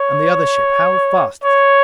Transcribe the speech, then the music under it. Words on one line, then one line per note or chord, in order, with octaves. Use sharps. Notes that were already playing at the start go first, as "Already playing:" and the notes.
"And the other ship--how fast is it?"
Already playing: C#5
C#5